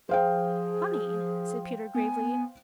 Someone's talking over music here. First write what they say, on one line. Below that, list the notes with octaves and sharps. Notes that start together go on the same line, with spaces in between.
"Funny!" said Peter gravely.
F3 G#4 C5 F5 G5
B3 G#5